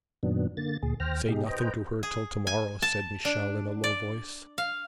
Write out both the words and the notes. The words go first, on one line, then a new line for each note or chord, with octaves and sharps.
'Say nothing to her till to-morrow,' said Michel in a low voice.
F#2 A#2 D#3 F#3 B3 D4
D3 A#3 A6
D2 A#2 G#4
D#2 C5 G5 F6 A#6
B2 D#4 G4 G#4
B4 C5 D#5 G5 A#5
G#4
G#5
A5
D4
D5
F5